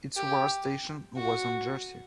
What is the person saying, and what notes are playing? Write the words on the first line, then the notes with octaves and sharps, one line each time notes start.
Its war station was on Jersey.
G4
F#4